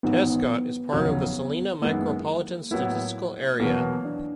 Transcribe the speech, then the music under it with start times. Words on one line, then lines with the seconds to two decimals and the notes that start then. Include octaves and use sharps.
Tescott is part of the Salina Micropolitan Statistical Area.
0.03 A1 G#2 D#3 F#3 B3
0.93 F1 D#2 C#3 F#3
1.82 F#2 D#3 G#3 A#3 B3 E4
2.71 A2 F#3 A#3 B3 E4
3.60 E2 B2 F#3 A#3 B3
4.05 D4